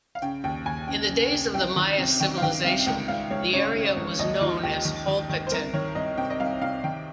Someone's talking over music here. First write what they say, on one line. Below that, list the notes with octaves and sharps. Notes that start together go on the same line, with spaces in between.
In the days of the Maya civilization, the area was known as Holpatin.
F5
C#3 G5
D#2 G5
D#2 G#5
C#3 G5
C#3
C#3
C2 G5
D#3
C3
D#3 G5
F5
D#3 G5
C2 F5
C#2 G5
C#2 F5
C#2 C#5
C#3 C#5
C#3
C#2
D#2 D#5
D#3 F4
D#2 G4
D#3
D#3
D#3
C5
C2 A#4
D#3 C#5
C2 D#5
C3 G5
D#5
C2 F5
C3 F5
D#3 G5